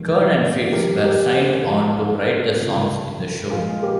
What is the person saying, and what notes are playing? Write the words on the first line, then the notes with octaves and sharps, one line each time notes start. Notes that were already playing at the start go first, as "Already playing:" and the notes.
Kern and Fields were signed on to write the songs in the show.
Already playing: F1 D#2 D#3 G#3
F2 D#3 G3 G4 A#4
G4 A#4
G#4 C5
A#1 A#2 G#3
C#2 C3 D#3
A#1 A#2 G#3 F4 G#4
G4 A#4